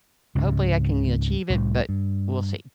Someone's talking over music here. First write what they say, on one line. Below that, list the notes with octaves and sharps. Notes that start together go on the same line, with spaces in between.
hopefully I can achieve it, but we'll see.
C#2 G#2 C3
C2 A2 C3
G2